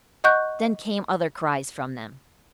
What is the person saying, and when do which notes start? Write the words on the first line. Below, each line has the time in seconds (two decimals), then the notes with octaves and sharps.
Then came other cries from them.
0.24 D#5 F#5 C#6 F#6 G6